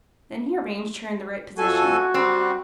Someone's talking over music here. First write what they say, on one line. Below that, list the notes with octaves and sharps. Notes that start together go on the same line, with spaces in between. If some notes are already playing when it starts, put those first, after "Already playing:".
Then he arranged her in the right position.
F2 F#4 A4 G#5
G3 C4